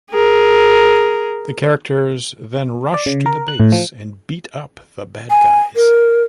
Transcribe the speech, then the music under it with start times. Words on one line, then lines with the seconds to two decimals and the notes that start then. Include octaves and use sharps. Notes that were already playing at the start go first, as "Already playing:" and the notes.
The characters then rush to the base and beat up the bad guys.
0.11 G#4 A#4
2.94 D5
3.06 C#3
3.26 A#4
3.48 F#6
3.60 A2
3.72 F3
5.30 G#5
5.76 A#4